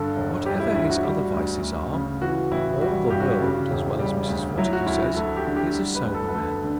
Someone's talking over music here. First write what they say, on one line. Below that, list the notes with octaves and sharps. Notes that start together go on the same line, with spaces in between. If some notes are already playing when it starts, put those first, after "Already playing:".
Whatever his other vices are, all the world, as well as Mrs. Fortescue, says, 'he is a sober man.
Already playing: G2 D3 A4
E1
G3 G4
E4
D2 E4
F#4
G3
D2
D2
C#3
E3 F#4
A1 E4
G3 F#4
G2 G4
F#4
G4
C#3
E1
G3
D2
F#3 E4
F#4
D2 E4
F#4
D2 A4
G4
D3
G4
G3
B4
D2
A4
B4
D2 A4
D3